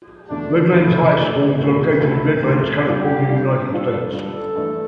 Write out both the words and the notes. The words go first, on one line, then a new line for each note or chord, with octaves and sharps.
Redlands High School is located in Redlands, California, United States.
E2 D3 A3 D4
E2 D3 A3 E4
D2 D3 A3
D2 D3 A3 E4
D2 D3 A3 E4
D2 D3 A3 F4
D3 G3 D4 F4 G4
D3 G3 D4 F4
D3 G3 D4 F4 A4
D3 G3 D4 F4 A4
G2 E3 A3 D4